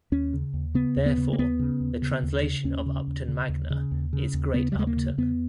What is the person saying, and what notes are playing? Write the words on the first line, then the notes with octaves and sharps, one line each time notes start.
Therefore, the translation of Upton Magna is "Great Upton".
D#2 C#4
C#3
D#2
C#3 B3
D#2
B3
C#3
A#3
D#2 B3
C#3
D#2
C#3
D#2
C#3
D#2 C#4
C#3
D#2
C#3
D#2
C#3
D#2
C#3
D#2
C#3 B3
G3
D#2 G#3
A#3
C#3
E2 B3